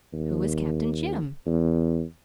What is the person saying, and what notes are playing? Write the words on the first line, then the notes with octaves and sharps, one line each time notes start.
"Who is Captain Jim?"
D#2
E2